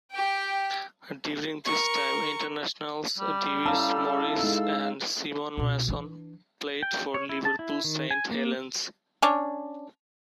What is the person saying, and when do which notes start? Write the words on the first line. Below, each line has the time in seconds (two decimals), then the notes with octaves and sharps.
During this time internationals Dewi Morris and Simon Mason played for Liverpool Saint Helens.
0.11 G4 G5
1.65 A#4 C#6
3.18 G3
3.65 C#4 E4 A4 F5 A5 A#5 E6
4.39 G#3 D#4
5.57 C#2 B2
5.88 E3 D4
6.83 G5
7.14 C#5
7.29 E4
7.45 A5
7.59 E4
7.84 D#3
8.11 G#5
8.31 A#3
9.22 C#4 D4